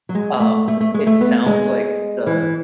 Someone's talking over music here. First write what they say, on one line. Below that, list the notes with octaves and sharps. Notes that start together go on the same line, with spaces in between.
um, it sounds like, the
F#3
G#3
A3
A3
A3
G#3
A3
B3
G#3
E3